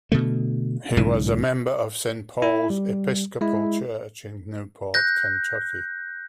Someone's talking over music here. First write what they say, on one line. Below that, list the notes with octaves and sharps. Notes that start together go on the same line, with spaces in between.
He was a member of Saint Paul's Episcopal Church in Newport, Kentucky.
B2 D3 A3
B1 G#2 C#3 E3
E4
G3
G#3 E4
F#6 G6 A#6